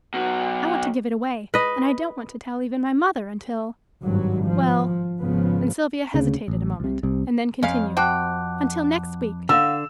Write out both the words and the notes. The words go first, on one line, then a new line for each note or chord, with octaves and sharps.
I want to give it away, and I don't want to tell even my mother until--well," and Sylvia hesitated a moment, and then continued, "until next week.
B2 F#3
B4 D#5
G#1 G2 F#3
F3
G#1 C#3 F3 B3
D2 C#3
A1
C2 C3
C2 C3
F2 C#4 F5
C4 F#4 G5 A5 D6 F#6
D3 F5 F#5 E6